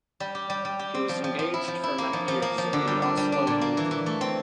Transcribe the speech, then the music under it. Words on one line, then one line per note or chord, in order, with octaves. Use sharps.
He was engaged for many years at the Oslo New Theater.
G3
G4
G3
G3
G4
C4
F3
F3
F3
E4
F3
E4
A#3
F3
F3
A#3
F3
D3
G3
D4
G3
D4
A#2
A#3
E3
E3
A3
C4